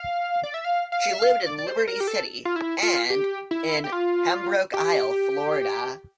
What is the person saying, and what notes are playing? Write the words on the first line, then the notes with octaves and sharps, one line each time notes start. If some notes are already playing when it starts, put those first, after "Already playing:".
She lived in Liberty City and in Pembroke Isle, Florida.
Already playing: F5
D5
E5
F5
F5
E5
F5
D5
D5
C5
A#4
G4
A4
F4
E4
F4
G4
E4
G4
F4
G4